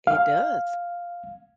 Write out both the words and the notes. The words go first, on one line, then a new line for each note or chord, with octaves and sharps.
It does.
F5